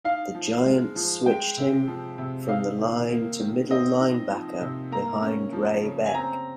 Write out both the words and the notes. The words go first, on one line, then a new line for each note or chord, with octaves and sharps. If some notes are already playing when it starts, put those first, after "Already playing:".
The Giants switched him from the line to middle linebacker behind Ray Beck.
D#4 F5
F3
G#3
F3
G#3 G5
C3
F3
C3
D#4 F5
D#3
A#3
D#3
C4 D#5
D#4
F3
C3
A#3 A#5
C#4
F3
C#3
G#5
C4 A#5